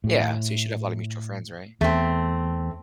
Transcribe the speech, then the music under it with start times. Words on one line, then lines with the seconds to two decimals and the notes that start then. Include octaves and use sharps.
Yeah. So you should have a lot of mutual friends, right?
0.04 A2
1.81 E2 A3 C4